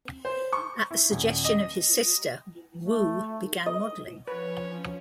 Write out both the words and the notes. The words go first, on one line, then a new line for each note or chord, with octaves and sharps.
At the suggestion of his sister, Wu began modeling.
C5
C#6
E4
D#1
D#5
A3
D#5
F3 C#4 B4 C#5